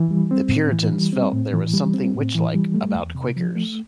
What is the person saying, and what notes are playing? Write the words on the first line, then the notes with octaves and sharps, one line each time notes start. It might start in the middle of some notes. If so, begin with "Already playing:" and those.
The Puritans felt there was something "witchlike" about Quakers.
Already playing: E3
G3
C4
A2
E3
G3
C4
A2
E3
G3
C4
A2
E3
G3
A3
E2
C3
F3
A3